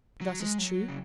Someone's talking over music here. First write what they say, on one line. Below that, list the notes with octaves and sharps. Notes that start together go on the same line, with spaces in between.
"That is true."
F#3
G#3
F#3
C#3